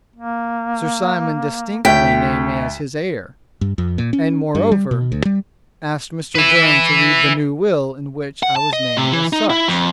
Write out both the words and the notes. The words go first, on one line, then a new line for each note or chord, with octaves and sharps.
"Sir Simon distinctly named me as his heir, and, moreover, asked Mr. Durham to read the new will in which I was named as such."
A#3
D2 G5 B6
G2
F2
A#2
C#4
G2
G3
B2
D2
G3
B4 E5
F#5
A5
D#5
C3
E3
D#4
E4
F2